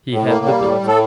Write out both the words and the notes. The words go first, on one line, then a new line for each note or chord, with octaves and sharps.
He had the built.
A2
A#3
G3
A2
A2
A4